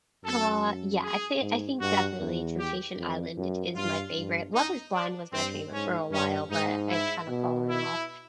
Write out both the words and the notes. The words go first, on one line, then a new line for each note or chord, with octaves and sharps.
Uh, yeah, I thi I think definitely Temptation Island is my favorite Love is Blind was my favorite for a while, but it's kind of fallen off,
F#2 A4
G#4
G#2
G2 F#4
E2
G4
F2
F#2
G2 F4
G2
D#4
D4
G2 C4
G#2 C#4
G2 C#4
G#2 D#4
E4
B2
E4